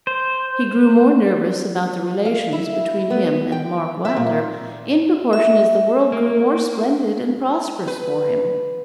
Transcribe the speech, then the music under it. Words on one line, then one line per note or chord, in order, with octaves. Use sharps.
He grew more nervous about the relations between him and Mark Wylder, in proportion as the world grew more splendid and prosperous for him.
C5
F5
E4
B3
G5
E5
A#2
E5
A#3
B4